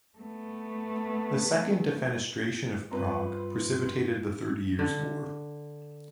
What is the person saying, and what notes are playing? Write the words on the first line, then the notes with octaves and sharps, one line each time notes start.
The Second Defenestration of Prague precipitated the Thirty Years' War.
A3 B3
G2 C4 F4 B4 A#5
D3